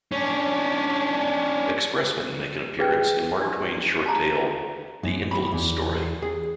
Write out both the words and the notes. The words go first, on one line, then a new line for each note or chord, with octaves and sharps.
Expressmen make an appearance in Mark Twain's short tale, The Invalid's Story.
C#4 D4
G#4 B4 G5
D4 G4
A5 A#5
F#2
B5
E2
G#4